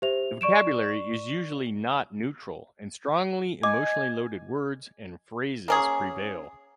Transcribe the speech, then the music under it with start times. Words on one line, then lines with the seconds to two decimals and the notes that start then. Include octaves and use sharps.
The vocabulary is usually not neutral, and strongly emotionally loaded words and phrases prevail.
0.02 G4 C5 E5 F7
0.41 D5 C#6 D7 E7
3.63 D#5 G#5 D6
5.68 A#3 C#4 G#4